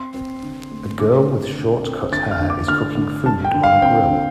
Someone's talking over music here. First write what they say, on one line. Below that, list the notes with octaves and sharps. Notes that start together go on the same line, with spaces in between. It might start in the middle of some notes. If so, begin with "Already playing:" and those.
A girl with short cut hair is cooking food on a grill.
Already playing: C4 C6
C4
D3
A3
D3 D6
C4
D3
C4
D3 A6
F6
D3
D6
D3 F6
D3
D3 A5
G5
D3
F5
C4 G5
D3